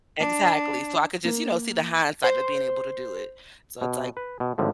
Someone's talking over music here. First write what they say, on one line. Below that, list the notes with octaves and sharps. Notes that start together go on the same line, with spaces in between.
Exactly. So I could just, you know, see the hindsight of being able to do it. So it's like,
D4
A#3
C5
B2
B4
B2
G#1 A2 D3 F3